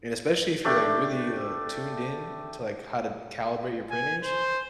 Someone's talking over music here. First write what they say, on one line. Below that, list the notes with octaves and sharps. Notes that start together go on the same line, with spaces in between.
And especially if you're, like, really, uh, tuned in to, like, how to calibrate your printers,
A3 D4 G4 D5
G#5
C5